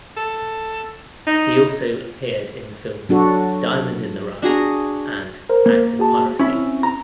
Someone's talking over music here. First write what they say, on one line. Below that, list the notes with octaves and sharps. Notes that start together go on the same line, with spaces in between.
He also appeared in the films "Diamond in the Rough" and "Act of Piracy".
A4
D#4
F#3 D4 F#4 A4
D4 F#4 G#4 A#5
A#4 C5
A#3
F#4 G#4 A5
C4 C#4 E4
A#5